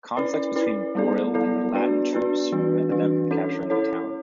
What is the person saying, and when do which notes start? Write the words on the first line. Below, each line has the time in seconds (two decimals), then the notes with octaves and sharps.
Conflicts between Boril and the Latin troops prevented them from capturing the town.
0.17 C#4 E4 B4 D5
0.56 C#4 E4 B4 D5
0.95 G3 B3 E4 A4 D5
1.34 G3 B3 E4 A4 D5
1.74 B3 D4 F#4 B4 D5
2.13 B3 D4 F#4 B4 D5
2.52 E3 G3 D4 F#4 B4
2.91 E3 G3 D4 F#4 B4
3.31 C#4 E4 A4 C#5
3.70 C#4 E4 A4 C#5